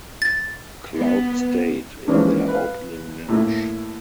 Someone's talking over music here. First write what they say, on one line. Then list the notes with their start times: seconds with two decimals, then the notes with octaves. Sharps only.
Cloud State in their opening match.
0.22 A6
0.96 B3
2.08 E3 F3 G#3 A#3 C#4 D4
2.48 B4 F5
3.29 A2 A3 A#3